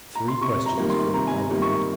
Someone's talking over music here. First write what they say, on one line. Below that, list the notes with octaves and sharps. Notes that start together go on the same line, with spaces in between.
Three questions filled my mind.
A#5
C6
C3 C#6
A#5
D#3 G3 A#3
C6
C3 A#5
G#5
A#5
D#3 G3 A#3
C#6